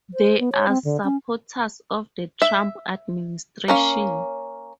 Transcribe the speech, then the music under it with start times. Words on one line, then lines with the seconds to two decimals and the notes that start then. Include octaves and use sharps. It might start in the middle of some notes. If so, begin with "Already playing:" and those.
They are supporters of the Trump administration.
0.14 C5
0.40 B3
0.52 C#5
0.68 C4
0.85 D3
1.04 C#4
2.42 E5
3.68 A#3 C#4 F5